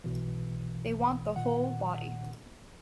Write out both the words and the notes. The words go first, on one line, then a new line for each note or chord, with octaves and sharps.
They want the whole body.
B1 B2 E3
A#2 D#3 F#5